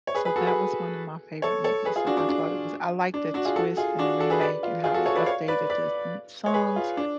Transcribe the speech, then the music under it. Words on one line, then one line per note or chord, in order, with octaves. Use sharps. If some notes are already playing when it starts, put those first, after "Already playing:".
So that was one of my favorite movies, like, I thought it was I like the twist and the remake and how they updated the m songs,
C#5
G#4 B4
G#4 B4
F#4 A4
G#4 B4
A4 C#5
A4 C#5
G#4 B4
F4 G#4
D4 F#4
D4 F#4
D4
D4
D4 F#4
F4 G#4
F#4 A4
F4 G#4
D4 F#4
F#4 A4
G#4 B4
B4 D5
F4
F4 G#4
F#4 A4
A4 C#5
B4 D5
C#5 F5
B4 D5
B4 D5
C#5
G#4 B4
F4
D4